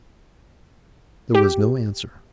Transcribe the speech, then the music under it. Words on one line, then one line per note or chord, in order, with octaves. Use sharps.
There was no answer.
G4